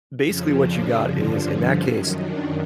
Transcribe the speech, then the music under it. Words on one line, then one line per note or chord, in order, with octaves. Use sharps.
basically what you got is, in that case,
F2 C#3 F3 C#4
D4
G2 D3 F3
C#4
F#2 D#3 C#4
D4